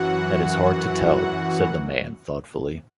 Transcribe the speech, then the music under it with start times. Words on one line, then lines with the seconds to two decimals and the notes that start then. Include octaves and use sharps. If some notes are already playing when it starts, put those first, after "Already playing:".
"That is hard to tell," said the man, thoughtfully.
Already playing: F#2 E3 F#4 F#5